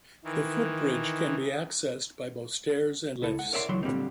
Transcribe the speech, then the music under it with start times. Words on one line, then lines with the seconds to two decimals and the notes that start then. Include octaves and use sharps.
The footbridge can be accessed by both stairs and lifts.
0.24 D#3 E3
3.22 C#2 E4 A4
3.39 F#5
3.53 A#4 C#5 D5 E5 G5 C6
3.69 C#2 D3 E3 F#3 C6
3.83 A#2 D3 G3 C4 D#4